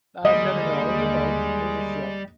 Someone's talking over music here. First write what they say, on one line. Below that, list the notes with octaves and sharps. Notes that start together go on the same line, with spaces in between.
Uh, no, no, no, it was a boat, it was a ship.
D#2 D3 G3 G#3 A#3 D#5